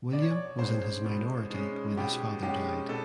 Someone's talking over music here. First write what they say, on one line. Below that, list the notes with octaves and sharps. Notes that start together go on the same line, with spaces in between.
William was in his minority when his father died.
B2 D5
C#5
D5
G#3 C#4 C5
B2
G#3 C#4
B2 G4
G#3 C#4 G4
B2 A4